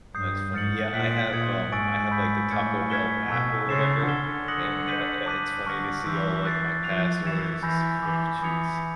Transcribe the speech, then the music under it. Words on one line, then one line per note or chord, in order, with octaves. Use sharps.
That's funny. Yeah, I have, um I have, like, the Taco Bell app, or whatever, and, uh, yeah, it's funny to see all, like, my past orders, it's like, "Oh, jeez."
G2 D#6 G6 C7
G#2 F6 A6 C#7 F#7
A#2 F#6 B6 D7 F#7
A#2 D#6 G#6 C#7 F#7
G#2 G#5 C#6 E6 A6 D7
B5 E6 G6 B6
A2 G#5 C#6 F6 G#6 C#7
F6 G#6 B6 E7 G7
B2 A5 C#6 E6 G#6 B6
C#3 C6 E6 A6 C7 E7
D3 F6 G#6 C7 E7 G7
D#6 F#6 A#6 C#7 F#7
G6 B6 D#7 F#7
A5 D6 F#6 B6 D#7
D3 A5 C#6 F6 A#6
E3 C6 E6 G6
F#6 A6 C7
F3 C#6 F#6 A6 C7 F7
E3 E6 G#6 C#7 E7
E3 G#5 B5 E6 G6 A#6
E3 G#5 B5 D6
E3 B5 D#6 G#6 C#7 F7